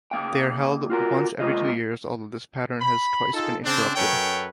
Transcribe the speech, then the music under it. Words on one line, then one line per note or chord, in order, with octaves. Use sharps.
They are held once every two years, although this pattern has twice been interrupted.
C#3 E3 A#3 F5 G5
F4 F#4 A#4
C3 G#3 A#3 F4 D#5
B5
D#4 F4 G#4 A4
C#3 C4 D4
F#2 C#4 A4 B4 C#5 G5